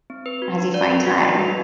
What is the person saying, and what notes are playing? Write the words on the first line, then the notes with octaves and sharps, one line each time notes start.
as you find time.
C4
B4
F#4
D4
D5
B4
F#4
D#5
B4